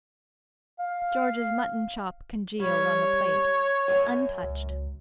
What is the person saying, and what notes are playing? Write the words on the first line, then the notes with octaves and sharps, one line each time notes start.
George's mutton chop congealed on the plate, untouched.
F5
G3 C#5
F#2
C#2